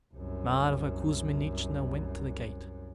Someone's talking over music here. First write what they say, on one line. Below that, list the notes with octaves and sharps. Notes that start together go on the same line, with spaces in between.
Mavra Kuzminichna went to the gate.
C2 F#2